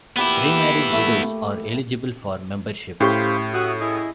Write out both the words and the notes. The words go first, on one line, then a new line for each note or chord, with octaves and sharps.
Remarried widows are eligible for membership.
A#2 B3 E4 G4 B5
A3
A2 C#4 G4 C5 F5 B5 C#6
A3 F#4 D#6 F#6
E4 G#4 D#5